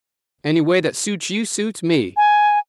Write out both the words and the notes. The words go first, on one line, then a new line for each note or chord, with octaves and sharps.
Any way that suits you suits me.
G#5